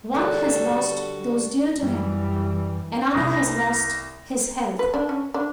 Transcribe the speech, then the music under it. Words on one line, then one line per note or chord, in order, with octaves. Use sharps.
One has lost those dear to him, another has lost his health.
D3 G3 F#4 A4 A#4 C#5 F#6
F#2 E3 G3
C2 B5 D#6 A#6
B4
D4
C#4
D4